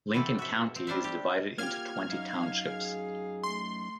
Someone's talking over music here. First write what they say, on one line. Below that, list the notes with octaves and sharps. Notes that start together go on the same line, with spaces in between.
Lincoln County is divided into twenty townships.
B2 E3 C4 E4 A4
F#4 E5
C4
G3 D4 C5 E5
G4
A#3 F4 G4 F6 G#6
F#2 D#4 F5
G#4
A3 C6